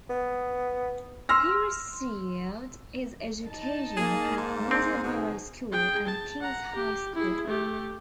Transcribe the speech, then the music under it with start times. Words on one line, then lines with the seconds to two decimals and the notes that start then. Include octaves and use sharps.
He received his education at Musselborough School and King's High School.
0.09 B3
1.29 C6 E6 F6 A#6
3.47 D#4 A5
3.97 A#3 G#4
4.37 G#2
4.71 C4 G#4
5.03 B2 D#4
5.71 G#4 G5
6.07 A5
6.40 F#5 A#5
6.75 G4
7.15 E4 G#4
7.47 A3 G4